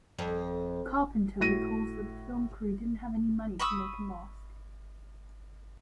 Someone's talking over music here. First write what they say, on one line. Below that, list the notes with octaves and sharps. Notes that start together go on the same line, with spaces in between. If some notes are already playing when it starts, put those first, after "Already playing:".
Carpenter recalls that the film crew didn't have any money to make a mask.
F2
A2 F#4 A#6 D#7
B5 C#6 D#6 E6